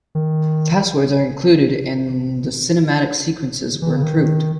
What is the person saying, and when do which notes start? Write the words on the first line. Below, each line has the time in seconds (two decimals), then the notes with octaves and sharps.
Passwords are included and the cinematic sequences were improved.
0.15 D#3
3.82 E3
3.90 D#3
3.96 C#3
4.03 D#3